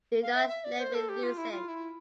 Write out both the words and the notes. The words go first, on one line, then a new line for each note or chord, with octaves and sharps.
Do not let me lose it.
F5
E5
E5
D5
C5
A4
G4
F4
E4
F4
E4